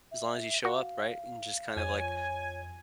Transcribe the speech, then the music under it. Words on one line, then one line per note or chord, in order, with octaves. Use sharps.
As long as you show up, right, and just kind of, like,
E5
F#4 F5
F2 C#5 G#5